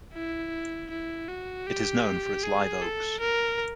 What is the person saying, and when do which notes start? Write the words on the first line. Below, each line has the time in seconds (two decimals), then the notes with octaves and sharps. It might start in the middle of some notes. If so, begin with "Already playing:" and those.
It is known for its live oaks.
0.14 E4
0.91 E4
1.29 F#4
1.67 G4
2.43 G#4
2.81 A4
3.20 A#4